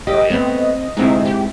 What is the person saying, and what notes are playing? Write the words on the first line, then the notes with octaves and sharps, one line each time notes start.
Oh, yeah.
A1 G4 D#5
A3 B3 C4
D2 G#2 C3 C4 D#4 E4
G4